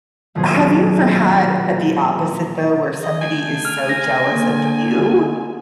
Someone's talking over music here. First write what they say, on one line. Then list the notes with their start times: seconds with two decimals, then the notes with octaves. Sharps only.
Have you ever had, uh, the opposite, though, where somebody is so jealous of you?
0.35 D#1 B2 F#3 G#4 C5 C#5
3.03 D#5
3.21 A3 G#5
3.65 F6
3.89 A#6
4.32 D3 A#3